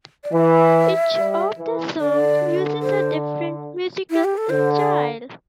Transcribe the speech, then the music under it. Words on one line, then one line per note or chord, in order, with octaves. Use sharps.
Each of the songs uses a different musical style.
D5
E3 E5
G3
E3
D3 D5
C5
E4
G4
A4
D3 C5
D5